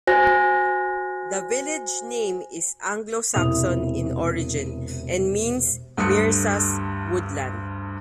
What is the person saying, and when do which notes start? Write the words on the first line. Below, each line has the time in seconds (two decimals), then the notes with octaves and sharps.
The village name is Anglo Saxon in origin, and means 'Myrsa's woodland'.
0.07 F#4 C5 G#5 F#6 A#6
3.34 E1 C3 E4 D#6 F7
5.97 D2 G2 A4 D#6 F#6 C#7